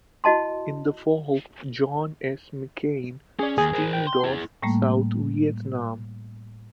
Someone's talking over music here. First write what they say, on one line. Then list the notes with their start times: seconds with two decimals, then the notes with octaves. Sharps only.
In the fall, "John S. McCain" steamed off South Vietnam.
0.24 E4 F#4 D#5 A5 C6
3.39 C#4 G#4 D5
3.58 D#2 G#4
3.74 A#4 C5
3.93 G5
4.07 C6
4.24 E4 G#4
4.62 A2 G3 A3 A#3